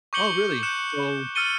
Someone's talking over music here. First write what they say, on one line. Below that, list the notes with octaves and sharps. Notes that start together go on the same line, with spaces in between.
Oh, really? So
C#6 D6 G6 C#7 F#7 G7
F#6 G6 C#7 E7
E6 F6 A6 C#7 D#7 G7